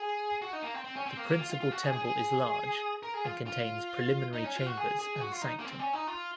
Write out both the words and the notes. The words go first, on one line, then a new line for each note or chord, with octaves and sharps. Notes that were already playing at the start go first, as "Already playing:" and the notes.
The principal temple is large and contains preliminary chambers and sanctum.
Already playing: G#4
F#4
D#4
A#3
C4
C4
C#4
C4
A#3
A#3
F4
F4
F4
F#4
G#4
G#4
G#4
A#4
G#4
F4
F4
D#4
C#4
F4
F#4
G#4
G#4
G#4
F#4
F4
D#4
A#3
C4
C#4
D#4
F4